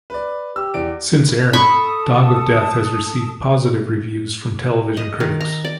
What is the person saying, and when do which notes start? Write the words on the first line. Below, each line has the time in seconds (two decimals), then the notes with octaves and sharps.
Since airing, "Dog of Death" has received positive reviews from television critics.
0.10 B4 D5
0.56 G4 E6
0.74 E2 D5 D7
1.53 A4 A5 B5 C#6 D#6
4.97 D#5
5.20 D#3
5.41 A#5
5.65 D5